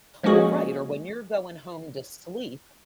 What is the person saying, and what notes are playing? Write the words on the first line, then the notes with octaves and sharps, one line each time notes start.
Well, right, or when you're going home to sleep,
F3 G#3 A#3 C#4 F#4 G#4